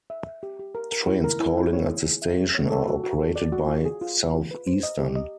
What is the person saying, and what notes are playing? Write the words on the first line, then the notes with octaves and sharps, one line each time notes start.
Trains calling at the station are operated by Southeastern.
E5
E5
G4
G4
A#4
A#4
E4
A#4
E4
E4
C#5
G#4
G#4
E5
G#4
C#5
A4
F#4
F#4
A4
D5
F#4
F4
G#4
F4
F4
F4
B4
C5
D#5
G4
D#5